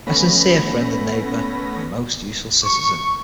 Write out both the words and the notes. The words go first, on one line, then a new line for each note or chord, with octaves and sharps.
A sincere friend and neighbor and most useful citizen.
A3 B3 C#4 B5 A#6
C#6